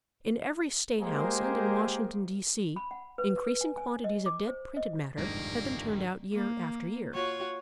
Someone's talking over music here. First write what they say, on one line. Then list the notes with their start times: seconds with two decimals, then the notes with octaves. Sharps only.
In every state house, and in Washington, D.C., increasing quantities of dead printed matter have been turned out year after year.
1.00 G#3 A#3 G4 G#4 A#4 C5
2.76 B5
2.91 F#5
3.18 B4
3.46 B4
3.61 G#5
3.77 G#5
4.04 D#5
4.26 D6
4.48 C5
4.77 D#5
5.18 G1 C2 F2 G#2 D#3 G3 A#3 D4
6.33 A#3
7.14 F4 F#4 C#5